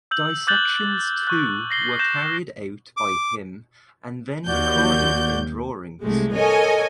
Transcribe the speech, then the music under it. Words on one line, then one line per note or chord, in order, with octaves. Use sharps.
Dissections too were carried out by him and then recorded in drawings.
E6 G6 F#7
D6 F#6 G6 A6 F#7 G7
C#6 F#6
A#6 C7 G7
G6 A#6 E7
D6
D#2 F#4 D5 G6
C2 G#3 A3
A4 A#4 C#5 D#5 G#5